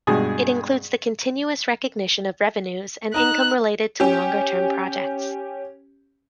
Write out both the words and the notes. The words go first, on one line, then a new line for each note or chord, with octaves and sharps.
It includes the continuous recognition of revenues and income related to longer-term projects.
G2 B2 G#3 G#4
D#4 A#5 F#6 E7
C#4 G4